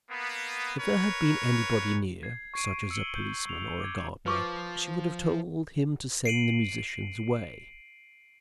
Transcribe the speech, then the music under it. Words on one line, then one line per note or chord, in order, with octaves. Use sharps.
If there had been anybody near, such as a policeman or a gardener, she would have told him to send the musicians away.
A#3 B3
A#4 B4 C#5
G#6 C7
C#6 G#6 C7 D7 D#7
E6 C#7 D7 F#7 G7
G6
C#6 F7
D6 G#6
F3 B4 C#6 D6
C7 D7 D#7 F#7